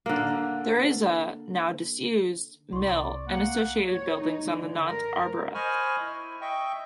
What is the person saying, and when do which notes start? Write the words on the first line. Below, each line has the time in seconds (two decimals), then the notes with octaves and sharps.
There is a, now disused, mill and associated buildings on the Nant Arberth.
0.06 D3 A#3
2.73 C2 D5 C6 C#6
3.27 A#3 F#5
3.86 C#5
4.18 D#4
4.48 D3
4.87 A#4
5.55 C5 D#5 G#5 B5 C#6 F6
6.00 E4
6.41 D#5 E5 G5 C#6